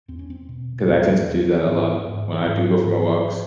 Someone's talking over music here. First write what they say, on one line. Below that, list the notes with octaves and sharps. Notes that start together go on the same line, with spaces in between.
'cause I tend to do that a lot when I do go for my walks.
E2 C4
C#4
C4
B2
E2 D4
E2
G#2 C#4
G#2
G#2 C4
G#2